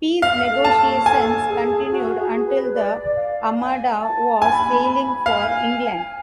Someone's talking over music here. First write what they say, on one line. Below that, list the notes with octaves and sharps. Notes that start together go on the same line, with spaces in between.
Peace negotiations continued until the Armada was sailing for England.
F5
A4
A5
C#5
A4 G#5
G#4
F#4
G#4
B4
D5
F5
G#5
A5
G#5 B5
B5
F5 G#5